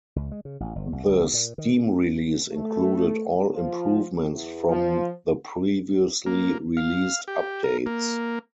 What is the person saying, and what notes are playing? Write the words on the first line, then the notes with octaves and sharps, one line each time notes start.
The Steam release included all improvements from the previously-released updates.
C#2
G#3
C#3
A1
G1
C2
C#2
A#2
D#3
A3
F3
E2
F3
A#3
F5
G4
A#4
A#3